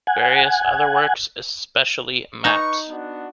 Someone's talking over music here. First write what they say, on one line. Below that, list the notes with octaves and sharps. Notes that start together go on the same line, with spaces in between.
Various other works, especially maps.
F#5 G#5
D#4 B4 A#5 C#6
B3 D4 F#4